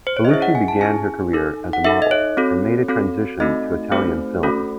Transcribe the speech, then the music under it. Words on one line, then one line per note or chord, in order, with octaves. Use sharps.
Bellucci began her career as a model and made a transition to Italian films.
C5
C#5
D#5
C#4 E4 G#4 E5
F#5
G#5
A5
C#4 E4 G#4 G#5
D#4 A4
F#5
D#4 A4 E5
D#5
C#5
C4 F#4 A4
C4 F#4 A4
A3 C4 D#4 F#4 A4 D#5
A3 C4 D#4 F#4 A4 C5
A3 C#4 F#4 A4